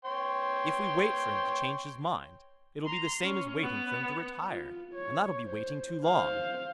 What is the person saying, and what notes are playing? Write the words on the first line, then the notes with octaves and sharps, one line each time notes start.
"If we wait for him to change his mind, it'll be the same as waiting for him to retire. And that'll be waiting too long."
C#5 G5 C6
A#5 C6
C#4
B3
F4
C#5
C5
C5 F5